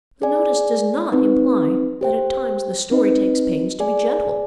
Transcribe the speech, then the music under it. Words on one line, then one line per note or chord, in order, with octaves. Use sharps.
The notice does not imply that at times the story takes pains to be gentle.
G#4 D5 G#5
C4 D#4 B4
G4 C5 G5
C4 D#4 B4 D#5
G#4 D5 G#5